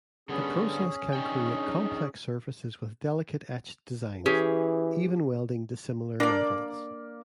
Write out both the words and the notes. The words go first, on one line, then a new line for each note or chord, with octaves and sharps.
The process can create complex surfaces with delicate etched designs, even welding dissimilar metals.
D3 G3 B3 C#4 G#4
D4 D#4 G5
E3 C#4 G4 G#4
A#3 D4 D5